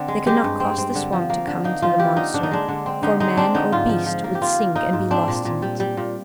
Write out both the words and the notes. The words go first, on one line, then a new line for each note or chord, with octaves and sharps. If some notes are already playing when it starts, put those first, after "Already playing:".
They could not cross the swamp to come to the monster, for man or beast would sink and be lost in it.
Already playing: D3 C4
G#3
G#3 G4
G2
C4
C4
D3
F3
A#3
D3
A#3 D#4
F3 F4
A#3 G4
D3 D#4
D3 D4
D#4
G#3 D4
D3
C4
D3 D#4
G#3 D#4
C4 D4
D3 D#4
G#2 F4
F3
F3
A#3
G4
A#3 F4
A#3
A#3 D#4
G#2
C4 D4
A#2
A#2
G3
G3
A#2